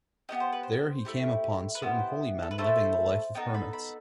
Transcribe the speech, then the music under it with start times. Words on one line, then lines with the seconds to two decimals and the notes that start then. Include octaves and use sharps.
There he came upon certain holy men living the life of hermits.
0.29 B3 E4 G4 D#5
0.40 C5
0.53 B4
0.63 C5
1.05 A3 E4 G4
1.75 B4
1.82 B3 E4 G4 C5
2.42 A4
2.51 B4
2.58 A3 E4 A4 C5
3.35 B3 D#4 A4 G5
3.54 B5
3.73 B5